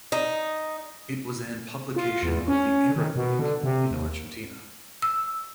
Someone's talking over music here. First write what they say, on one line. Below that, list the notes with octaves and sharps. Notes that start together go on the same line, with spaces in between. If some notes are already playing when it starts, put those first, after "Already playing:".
It was an publication of the Arab League in Argentina.
D#4
F4
E2
C#4
D#3
B2
D3
C3
D#2
E6